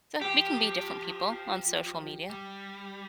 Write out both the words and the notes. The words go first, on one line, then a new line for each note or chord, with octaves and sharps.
So we can be different people on social media,
F3 G4
G3